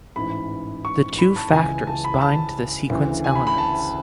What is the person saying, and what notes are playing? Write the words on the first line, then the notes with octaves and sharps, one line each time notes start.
The two factors bind to the sequence elements.
A1 G#2 E3 B5
C#6
B5
A5
C#2 C#3 E3 G#5
A5
B5
A5
D2 C#3 E3
G#5
B5
B5
A5